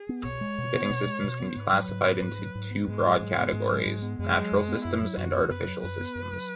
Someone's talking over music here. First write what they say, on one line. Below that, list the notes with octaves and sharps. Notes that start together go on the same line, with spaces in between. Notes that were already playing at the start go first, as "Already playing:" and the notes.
Bidding systems can be classified into two broad categories: "natural" systems and "artificial" systems.
Already playing: G#4
B3
B2 C#5
G#3
B2
B3
B2
G#3
B2
B3
G#2 B4
F#3
G#2
B3
G#2
F#3
G#2
B3
G#2 G#3
F#3
G#2
B3
G#2
F#3
G#2
B3
F#2 G#3
F#3
F#2
B3
F#2 E4
F#3
F#2 F#4
B3
F#2 B4
F#3
F#2 B4
B3
F#2
F#3